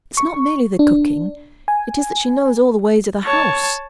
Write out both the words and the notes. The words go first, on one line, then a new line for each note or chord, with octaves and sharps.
It's not merely the cooking, it is that she knows all the ways of the house.
C#6
D4
G#5
C#5 A5